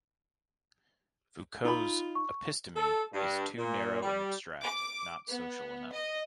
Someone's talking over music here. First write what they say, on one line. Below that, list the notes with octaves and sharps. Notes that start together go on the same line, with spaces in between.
Foucault's 'episteme' is too narrow and abstract, not social enough.
D#4 F4 B5
C#6
A4
G2
A#2
G3
D6
B3
D#5